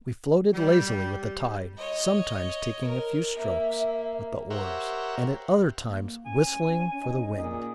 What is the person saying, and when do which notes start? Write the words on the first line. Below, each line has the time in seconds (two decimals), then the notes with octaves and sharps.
We floated lazily with the tide, sometimes taking a few strokes with the oars, and at other times whistling for the wind.
0.53 G3
1.77 C#5 D#5
2.84 A#4
3.35 A#3 E5
4.50 G4 A#4 C5 C#5 E5 F#5
5.84 A#3
6.26 C#4 G#5
7.01 D#4
7.38 A#2 G#4